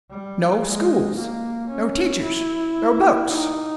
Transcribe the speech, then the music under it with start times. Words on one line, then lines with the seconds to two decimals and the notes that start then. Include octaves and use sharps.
No schools, no teachers, no books!
0.10 G3
0.63 G#3
1.16 A#3
1.70 C#4
2.22 E4
3.28 D#4